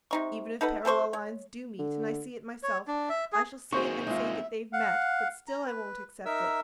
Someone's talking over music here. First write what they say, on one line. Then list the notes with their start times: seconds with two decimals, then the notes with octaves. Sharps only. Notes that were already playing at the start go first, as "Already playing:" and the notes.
Even if parallel lines do meet and I see it myself, I shall see it and say that they've met, but still I won't accept it.
0.11 C3 D#4 C#6
0.61 D#4 A4 B4 F#5
0.85 C3 A4 C5 C#6
1.13 C#5
1.79 D3
2.63 C#5
2.88 D4
3.09 E5
3.32 G#4
3.73 A#3 C4 D#4 F#4 G#4 C5 E5 C#6
4.07 G#3 F4 E5
4.73 F5 F#5
5.48 A#5
5.66 B4
6.25 D#4 A#4 E5 E6